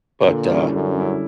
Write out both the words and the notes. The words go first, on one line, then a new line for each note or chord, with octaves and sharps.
But, uh
A#2 D3
G3 C#4 E4
F#2 D3
G3 C#4 E4